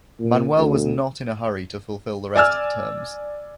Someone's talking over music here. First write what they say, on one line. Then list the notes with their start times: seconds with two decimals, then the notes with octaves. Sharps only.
Manuel was not in a hurry to fulfill the rest of the terms.
0.19 A#2
0.56 D2
2.36 D5 G#5 E6 F6